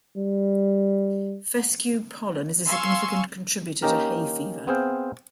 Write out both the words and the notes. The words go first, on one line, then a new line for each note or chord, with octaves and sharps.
Fescue pollen is a significant contributor to hay fever.
G3
F5 G#5 C6 C#6 E6
A#3 C#4 D#4 G4 A#4
B3 C4 G#4 C5 F5 G5